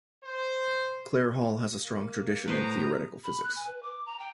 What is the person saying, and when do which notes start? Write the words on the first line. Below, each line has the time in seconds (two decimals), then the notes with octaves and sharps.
Clare Hall has a strong tradition in theoretical physics.
0.25 C5
1.83 A#3
2.48 A2 B4 C5 A#5 D#6
3.24 B5
3.44 F#6
3.56 G#5
3.67 B4
3.83 D6
4.06 A#5
4.19 G5